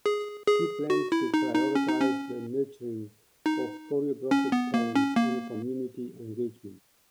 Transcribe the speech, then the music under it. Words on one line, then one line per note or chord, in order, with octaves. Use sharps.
She plans to prioritize the nurturing of choreographic talents and community engagement.
G#4
G#4
F#4
E4
D#4
D#4
C#4
D#4
C#4
D#4
C#4
B3
A#3
C#4
A#3